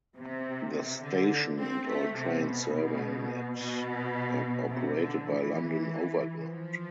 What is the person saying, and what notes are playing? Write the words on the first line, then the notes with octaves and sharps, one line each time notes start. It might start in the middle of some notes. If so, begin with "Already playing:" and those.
The station and all trains serving it are operated by London Overground.
C3
C3
D3
C4
A3
C3
B2
B2
C3
D3
E3
F3